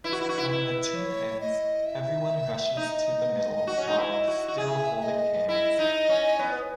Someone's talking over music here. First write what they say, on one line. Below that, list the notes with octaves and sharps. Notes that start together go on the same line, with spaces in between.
When the tune ends, everyone rushes to the middle, while still holding hands.
E4 B4
F#4
E4
F#4
E4
E4
C#5
D#5
E5
D#4 D#5
F#4
C#4
D#4
E4
F#4
F#4
G#4 E5
D#5
E4 D#5
D#4
C#4
B3 C#5
B4